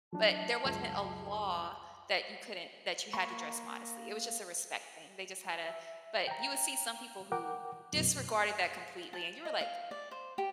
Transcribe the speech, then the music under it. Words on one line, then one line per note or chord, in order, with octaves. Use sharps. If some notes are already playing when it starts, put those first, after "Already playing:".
But there wasn't a law that you couldn't that you had to dress modestly. It was just a respect thing. They just had a but you would see some people who disregarded that completely, and you were like,
F#3 D4 E4 A5
C#2 F#2
A#3 B5 C#6
E5
G5 A#5
A#4 F#5 G5 D6
F#2 B2
A5
D#5
F5
D5
C5
G4